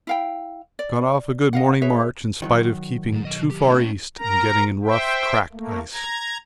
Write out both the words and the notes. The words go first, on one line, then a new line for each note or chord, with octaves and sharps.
Got off a good morning march in spite of keeping too far east and getting in rough, cracked ice.
E4 F5 G5
D5
D#5 F5 F#5
G#4 B4 C#5 E5
D#3 F3 F#3
G#2 G#3
B2 D#5
B1 G4
C2 A2 C#4 A4
A#4 A#5
C5 E5 G5
A3 A#3
A#5 G#6